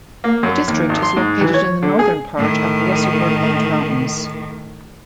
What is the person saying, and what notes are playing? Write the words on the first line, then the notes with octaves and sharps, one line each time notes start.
The district is located in the northern part of the Weserbergland mountains.
A#3
F#2
D#2
G#1
C6
G#2
E3
C#5
D3
G#4
A2 D#3